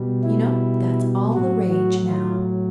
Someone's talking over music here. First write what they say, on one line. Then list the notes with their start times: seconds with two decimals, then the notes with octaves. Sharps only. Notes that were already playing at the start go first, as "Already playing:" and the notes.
You know that's all the rage now.
Already playing: B2 G3
0.23 E4
1.34 A2 F#3 F#4
1.69 F#4
2.07 F4